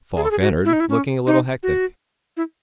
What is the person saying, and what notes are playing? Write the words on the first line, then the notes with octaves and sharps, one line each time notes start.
Falk entered, looking a little hectic.
G#4
A4
G#4
F#4
E4
D#4
E4
C#4
D#4
F#4
E4